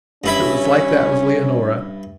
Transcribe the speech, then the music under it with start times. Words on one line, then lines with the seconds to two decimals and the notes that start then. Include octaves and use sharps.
It was like that with Leonora.
0.24 G2 C#4 E4 B5